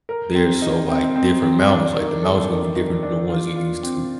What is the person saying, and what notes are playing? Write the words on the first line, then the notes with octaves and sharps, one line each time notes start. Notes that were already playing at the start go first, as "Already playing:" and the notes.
they're so, like, different mountains. Like, the mountains gonna be different than the ones you used to.
A#4
C4
D#4
C4
C4
C4
D4
D#3
A4
D#3
D#3
D4
F4
F4
C4